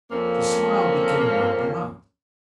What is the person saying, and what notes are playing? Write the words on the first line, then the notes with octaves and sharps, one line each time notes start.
The smile became more pronounced.
F2 F3 A#3 C4 C#4